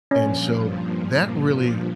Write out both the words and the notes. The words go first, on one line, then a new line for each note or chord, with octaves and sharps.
and so, that really
G2 A#2 F3 C#4